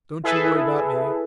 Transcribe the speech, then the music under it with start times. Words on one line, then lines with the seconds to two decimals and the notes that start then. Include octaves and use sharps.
Don't you worry about me.
0.24 E4 G#4 A4 B4 E5